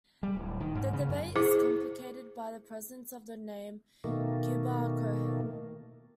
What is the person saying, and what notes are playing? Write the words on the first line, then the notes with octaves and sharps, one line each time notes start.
The debate is complicated by the presence of the name Kiabar Kohen.
G3
D1
D#3
G#2
C#3
F#2
E4 G#4 C5 D6
B2 D#3 A3 A#3